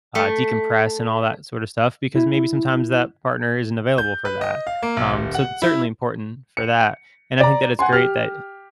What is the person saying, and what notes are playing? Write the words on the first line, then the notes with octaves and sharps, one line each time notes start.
uh, decompress and all that sort of stuff because maybe sometimes that partner isn't available for that. Um, so it's certainly important for that, and I think that it's great that,
A3
E4
G6
B4
D#5
F5
A#3
B1
D#1
F#5
E4
C#7
D5 A#5
F#5 G#5 C6
G4 F6